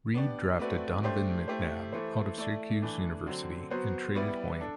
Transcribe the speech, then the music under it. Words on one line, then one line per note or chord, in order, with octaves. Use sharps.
Reid drafted Donovan McNabb out of Syracuse University, and traded Hoying.
B3 D4 G4 D5
A3 C4 F#4 B4 D5
A3 D4 G4 C5
A3 E4 G4 C5
E3 A3 E4 A4 C5
A3 E4 A4 D5
E3 A3 D4
D3 F#3 C4
F#3 B3 F#4 C5
G3 B3 E4 B4 D5
D4 A4